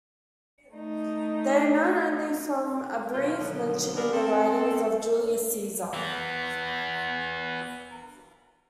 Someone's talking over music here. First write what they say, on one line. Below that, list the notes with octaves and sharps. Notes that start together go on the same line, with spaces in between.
They are known only from a brief mention in the writings of Julius Caesar.
A3 D#4
D#2 B2 F#3 F4 B4 C#5
B2 D3 D#3 F3 F#3 B3
G3 B3 D4 G#4 A#4
C4 A4
E3 B3